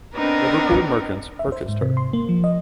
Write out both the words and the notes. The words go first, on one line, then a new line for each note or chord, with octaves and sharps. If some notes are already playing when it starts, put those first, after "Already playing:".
Liverpool merchants purchased her.
B3 C4 D4 D#4 A#4 B4
E5
C5
G#2
C3
C6
A#3
F3
D#5